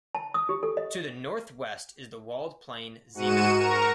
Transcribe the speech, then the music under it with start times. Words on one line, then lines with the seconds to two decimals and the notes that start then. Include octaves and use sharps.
To the northwest is the walled plain Zeeman.
0.15 A5
0.34 D#6
0.49 G4
0.63 A4
0.77 D#5
3.14 G#2 F#4 C#7 D#7 E7
3.56 A#4 A#5 C#6